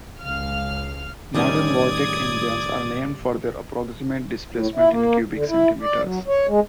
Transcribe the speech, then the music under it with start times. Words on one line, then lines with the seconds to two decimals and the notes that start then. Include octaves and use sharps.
Modern Vortec engines are named for their approximate displacement in cubic centimetres.
0.22 C#2 F5 F6
1.34 A2 D#3 G3 C#4 D5 D#6 G#6
4.51 A2
4.75 E4
4.90 A#3
5.34 D3
5.48 E4
5.81 D5
6.02 F#3
6.28 C#5
6.47 G#3